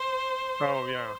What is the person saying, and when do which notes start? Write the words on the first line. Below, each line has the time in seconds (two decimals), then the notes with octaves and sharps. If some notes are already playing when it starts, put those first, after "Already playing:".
Oh, yeah.
Already playing: C5